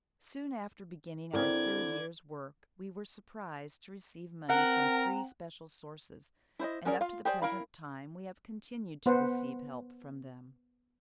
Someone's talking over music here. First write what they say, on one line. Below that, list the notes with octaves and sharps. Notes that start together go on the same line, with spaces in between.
Soon after beginning our third year's work we were surprised to receive money from three special sources, and up to the present time we have continued to receive help from them.
D3 C4 D4 E4 A#4 D5 G#6
C4 A#4 F#5 A#5
E4 C5 C#5 D#5
F#3 C#4 G#4 A#4 D5
F4 F5
G4 G#4 C5 D5
E4 A#4 F5 B5
B3 B4 C5 F#5